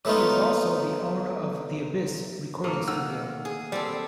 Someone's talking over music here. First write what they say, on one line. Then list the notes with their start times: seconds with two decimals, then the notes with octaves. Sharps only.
He is also the owner of "The Abyss" recording studio.
0.05 F#3 A3 B3 D#4 F4
2.64 A3 A#3
2.88 D#3 F#5 E6
3.45 G#4
3.72 G3 C4 A4 D5